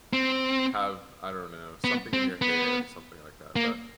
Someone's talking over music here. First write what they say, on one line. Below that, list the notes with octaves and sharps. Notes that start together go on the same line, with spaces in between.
have, I don't know, something in your hair or something like that, but
C4
B3
C4
B3
A#3